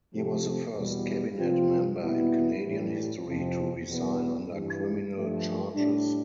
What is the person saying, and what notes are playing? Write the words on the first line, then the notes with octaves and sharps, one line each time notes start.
He was the first cabinet member in Canadian history to resign under criminal charges.
C3 F3 A3 C4 G4
E2 B2 G3
C3 F3 C4 F4
B2 G3 B3 E4
A2 E3 G3
F2 C3 F3 C4
E2 B2 B3
G2 E3 G3
G2 F3 A3
A2 G3 D4